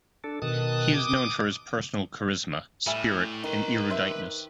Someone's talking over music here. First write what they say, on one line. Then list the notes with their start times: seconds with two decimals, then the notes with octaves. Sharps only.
He is known for his personal charisma, spirit and eruditeness.
0.24 D4 A4
0.42 B2 D#3 A5 D#6 F#6
0.94 D6 D#6
2.87 A2 G3 E5 G#5
3.44 D#3 B4 C6
3.90 G4 C5 E5